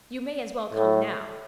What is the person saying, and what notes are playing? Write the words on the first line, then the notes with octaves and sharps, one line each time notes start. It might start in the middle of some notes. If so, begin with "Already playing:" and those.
You may as well come now.
A2